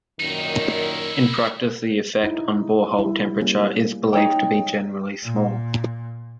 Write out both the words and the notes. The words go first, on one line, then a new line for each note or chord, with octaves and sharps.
In practice the effect on borehole temperature is believed to be generally small.
F#2 A#2 D#3 D#4 E4
D#4 E4
G3 E4
G3 A#3 C#4
D#4 C#5 G5
A#2